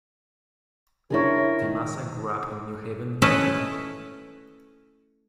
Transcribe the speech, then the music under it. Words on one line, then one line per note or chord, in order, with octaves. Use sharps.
DiMassa grew up in New Haven, Connecticut.
C#3 D4 E4 F4 G#4 A#4 C#5
D#3
A3 C#4 E4 B4 D#5 A5